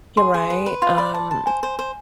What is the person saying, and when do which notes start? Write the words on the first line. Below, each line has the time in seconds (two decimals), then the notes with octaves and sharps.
You're right, um,
0.17 G#4 C6
0.34 G#4
0.50 B4
0.66 B4
0.82 F4 C6
0.97 D5 B5
1.14 D5 A5
1.31 A5
1.46 C5 G#5
1.63 C5
1.79 C5